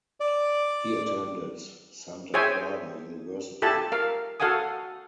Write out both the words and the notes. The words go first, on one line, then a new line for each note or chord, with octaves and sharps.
He attended Santa Clara University.
D5
G#4 C5 C#5 E5 G5 G#5
F4 G4 A4 E5 G#5 A5
A#4 F5
F#4 A4 F5 F#5 G#5 D#6